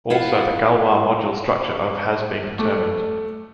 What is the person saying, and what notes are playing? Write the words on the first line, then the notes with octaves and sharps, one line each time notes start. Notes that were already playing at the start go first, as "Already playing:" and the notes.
Also, the Galois module structure of has been determined.
E4 F4 F5 F#5
A3 D6